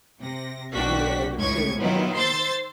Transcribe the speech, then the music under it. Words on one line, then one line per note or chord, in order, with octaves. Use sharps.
I'm a little older, too, and, um,
C3 A#6
B1 A#3 D4 F#4 G5 B6
C#2 A2 C#6 G#6
D#3 F#3 B3 E4 F4
C5 C6 E6 G6 A6